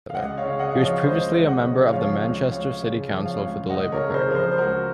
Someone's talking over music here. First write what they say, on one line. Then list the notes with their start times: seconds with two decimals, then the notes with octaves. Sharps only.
He was previously a member of the Manchester City Council for the Labour Party.
0.10 F5
0.15 C#2 D#5 F#5
0.37 C#5 F5
0.44 C#3
0.53 F5
0.59 D#5 F#5
0.74 F3 F#5
0.81 C#5 F5
1.04 C#2 C5 D#5
1.33 C#2
1.48 D#5 F#5
1.63 C#3
1.92 F3 C#5 F5
2.22 C#2 C#5 F5
2.52 C#2 C#5 F5
2.81 C#3
3.10 F3
3.25 C#5 F5
3.41 C#2
3.70 C#2 D#5 F#5
3.92 A#4 C#5
3.99 C#3
4.10 A#4
4.14 G#4 C5
4.29 F3 A#4
4.36 G#4 C5
4.51 C5
4.58 C#2 F#4 A#4